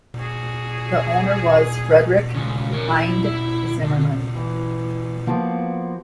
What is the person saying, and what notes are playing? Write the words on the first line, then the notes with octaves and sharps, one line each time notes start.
The owner was Frederick Hinde Zimmerman.
F#4 G#4
C#2 C#3
A#4 C#5
E4
E4
D3
E3
F3 A#3 B3 F#4